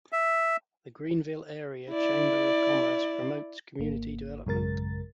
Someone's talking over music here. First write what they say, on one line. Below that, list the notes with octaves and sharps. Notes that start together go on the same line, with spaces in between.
The Greenville Area Chamber of Commerce promotes community development.
E5
E4 D5
G#1 A#3
A1 F#2 C#3 G#3 A#4 A6